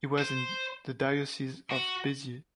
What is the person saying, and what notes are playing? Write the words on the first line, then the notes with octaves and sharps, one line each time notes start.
He was in the diocese of Béziers.
C5
F#4